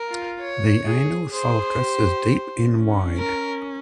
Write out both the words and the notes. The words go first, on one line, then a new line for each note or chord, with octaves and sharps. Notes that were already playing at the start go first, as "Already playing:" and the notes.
The anal sulcus is deep and wide.
Already playing: A#4
F4
C#5
G#4
G#4 C5
G4
C#4
A#4